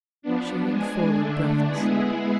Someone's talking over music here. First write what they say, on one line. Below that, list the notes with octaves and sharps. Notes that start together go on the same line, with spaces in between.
She leaned forward breathlessly.
F3 B3 D4
G#3 D4 G#4
D3 A3 D4
G#3 B3 E4 G#4